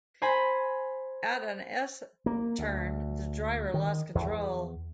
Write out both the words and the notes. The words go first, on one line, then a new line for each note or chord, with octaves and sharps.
At an S-turn the driver lost control.
C5 G#5 A#5 B5
A#3
D2
D#3
E2